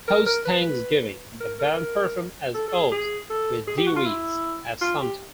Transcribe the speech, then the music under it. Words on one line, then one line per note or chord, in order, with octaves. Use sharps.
Post-Thanksgiving, the band performed as elves with Dewees as Santa.
A#4
A#4
B4
A#4
A#4
A4
A4
G#4
G#4
A4
G#4
G4
F#4
F4
E4
F4
G4